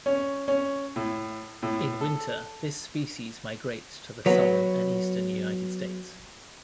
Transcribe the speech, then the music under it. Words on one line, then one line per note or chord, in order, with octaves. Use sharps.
In winter, this species migrates to the southern and eastern United States.
C#4
C#4
A2
A2
A4
F#3 B3